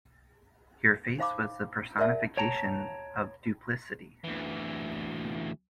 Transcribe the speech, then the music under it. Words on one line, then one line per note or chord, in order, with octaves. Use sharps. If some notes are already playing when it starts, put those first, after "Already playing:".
Your face was the personification of duplicity.
D#4 C5 F5 B5 D6
A#4 D5 E5 A5
C#5 G5 A5 A#5
D2 E3